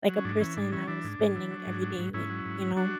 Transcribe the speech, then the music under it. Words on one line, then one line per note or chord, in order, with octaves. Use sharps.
like, a person I was spending every day with, you know?
F#3
C#4
G#2 D4
E3 C#4
G#2 D4
E3 C#4
E3 D4
G#2
G#2
E3
F#3
G#2
F#3
G#2
G#2 C#4 E4
F#3
G#2
F#3
F#3 D4 F#4